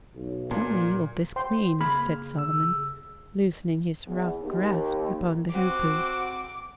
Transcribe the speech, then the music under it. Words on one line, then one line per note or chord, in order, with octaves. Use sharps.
"Tell me of this Queen," said Solomon, loosening his rough grasp upon the Hoopoe.
B1
A#2
C5 G5 C6
C#3 A#3 B5 F6
E6
E2
D#2
C4 F#4 D6